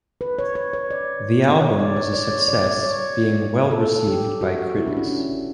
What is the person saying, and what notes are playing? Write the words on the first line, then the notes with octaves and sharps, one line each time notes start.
The album was a success, being well received by critics.
B4
C#5
C#5
C#5
D5
C#5
D5
C#5
D5
C#5
D5
D5
C#5
A4
G4
F#4
E4
D4
C#4
D4